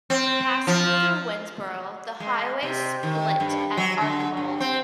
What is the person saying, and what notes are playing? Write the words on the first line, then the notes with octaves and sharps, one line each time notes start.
Passing through Winnsboro the highways split at Archibald.
C4
F3
G#3
C3
D#3
G2
F#3
D3
G2
C4